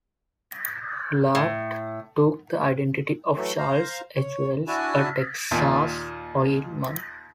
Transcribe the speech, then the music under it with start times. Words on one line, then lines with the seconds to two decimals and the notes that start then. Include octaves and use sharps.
Bullard took the identity of "Charles H. Wells", a Texas oilman.
1.35 A2
3.36 E3 F#3 A3
3.58 C5 F5 A#5
4.16 C#5
4.68 D4 E4 F#4 G#5 A5
5.51 D#2 A#2